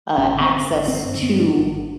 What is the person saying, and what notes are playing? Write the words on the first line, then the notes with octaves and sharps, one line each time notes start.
uh, access to
G#1 C#4
D3
C4
D3
G#1
D3 C4
G2 C4
C4
G2 B3
D3 D4
G#1